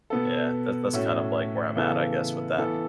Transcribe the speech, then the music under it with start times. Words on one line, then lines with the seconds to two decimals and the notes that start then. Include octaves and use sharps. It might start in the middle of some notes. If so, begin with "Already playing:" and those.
yeah that that's kind of, like, where I'm at I guess with that.
0.10 B2 B3 A4
0.93 A2 A3 C#4 F#4
1.75 C#3 E3 B3 A4
2.58 E3 B3 A4